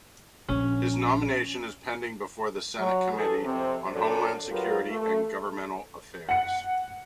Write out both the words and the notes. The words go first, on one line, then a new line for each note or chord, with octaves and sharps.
His nomination is pending before the Senate Committee on Homeland Security and Governmental Affairs.
A#1 C#4
F#3
E3 G#4 A4
F2 C3 C4
F#2 D4 A4
F#3 B3 F4 G4 A#4
A3
F#5 C#7